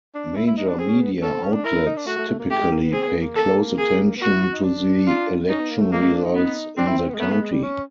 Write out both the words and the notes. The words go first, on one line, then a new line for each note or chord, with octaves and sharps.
Major media outlets typically pay close attention to the election results in the county.
D4
E4
E4
D#4
D4
C4 G#4
C#4
B3
C#4 A4
C4
C#4
D4
E4 A#4
E4
D#4
D4
A3 F#4
A3
A3
A#3
A3 G4
G#3
A#3
B3
C4 G#4
B3
A#3
A4
G#4
B3
A#3 F#4
E4
D#4
D4
F4
C#4 D#4
B3
A#3
A3
G#3 A#3
G#3
D4
D#4
B3
C4 D4
E4
C4
B3
G#3
A3 B3
A3
G#3
G3
C#4